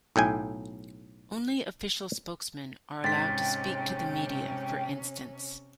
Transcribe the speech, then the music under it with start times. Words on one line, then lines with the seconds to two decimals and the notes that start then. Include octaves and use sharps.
Only official spokesmen are allowed to speak to the media, for instance.
0.16 B1 A2 G5 G#5
3.04 G#2 C3 C#4 G5 C6 A6 B6